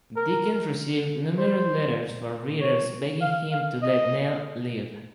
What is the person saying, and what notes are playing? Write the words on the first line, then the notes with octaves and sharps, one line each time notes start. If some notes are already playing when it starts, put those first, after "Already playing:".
Dickens received numerous letters from readers begging him to let Nell live.
A#4
C5
C#5
F5
F5
D#5